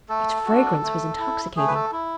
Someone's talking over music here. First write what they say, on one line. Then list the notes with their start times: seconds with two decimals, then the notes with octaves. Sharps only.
Its fragrance was intoxicating.
0.09 A3 A4
0.46 D4 F#4
0.83 A3
1.19 E4
1.56 A3 G#4
1.68 B4
1.75 A4
1.92 E4